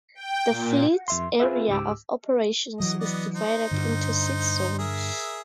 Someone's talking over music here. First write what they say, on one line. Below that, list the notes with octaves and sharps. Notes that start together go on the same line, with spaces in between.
The fleet's area of operations is divided into six zones.
G5
A#2
F2 E5 C6
C4 F4 G#4 B4 E5
C#2 G#2 G4 D6 E6
E3 F#3 D#5
B3 D5 D#5
D#4 C5
G2 D3
G#4 A#4 E5